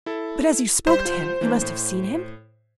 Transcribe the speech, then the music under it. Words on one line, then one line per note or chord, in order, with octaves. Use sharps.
"But as you spoke to him you must have seen him."
E4 A4
G3 C5 B6
C2 F4
E3 A#3 D4
A2